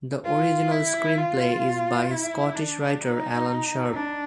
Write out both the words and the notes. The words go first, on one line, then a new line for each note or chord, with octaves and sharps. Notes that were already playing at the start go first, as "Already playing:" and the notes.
The original screenplay is by Scottish writer Alan Sharp.
F4
E4
F4
E4
D4
D#4
D4